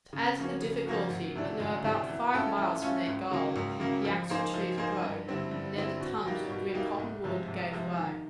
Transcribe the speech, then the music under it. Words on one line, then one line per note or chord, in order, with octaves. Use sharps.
To add to the difficulty, when they were about five miles from their goal the axle-trees broke, and then the tongues of green cottonwood gave way.
C#3
F3 A#3 C#4 F#4
C#3
F3 A#3 C#4 F#4
D2
C3 E3 A3 D4
D2
C3 E3 A3 D4
E3
A3 C#4 F4 A4
E3
A3 C#4 F4 A4
C#2
C#3 F#3 A#3
C#2
C#3 F#3 A#3
F3
A#3 D#4 G#4 C5
F3
A#3 D#4 G#4 C5
G2
D3 G3 C4 E4
G2
D3 G3 C4 E4
B2
G3 A#3 D#4 G4
B2
G3 A#3 D#4 G4
C2
C3 F3 G#3
C2
C3 F3 G#3
D#3